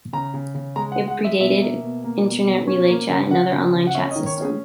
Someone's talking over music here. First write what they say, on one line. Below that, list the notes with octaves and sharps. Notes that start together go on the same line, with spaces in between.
It predated Internet Relay Chat and other online chat systems.
C#3 A#5
C#3
C#3
G#3 A#5
F#5
G#3
F#5
G#3
E5
B2 E5
A#3
B2
A#3
B2
B2
C#4
A#3
C#3
C#3 F#5
C#3
C#3
F#5
C#4 E5
D#5
D#3
C#5
C#4
G#4